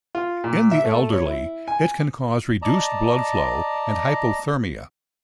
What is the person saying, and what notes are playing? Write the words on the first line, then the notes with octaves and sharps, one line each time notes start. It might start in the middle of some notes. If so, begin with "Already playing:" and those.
In the elderly, it can cause reduced blood flow and hypothermia.
F4
A#2
E5
A3
C#5
E4
G#5
D5 D#5 A5 A#5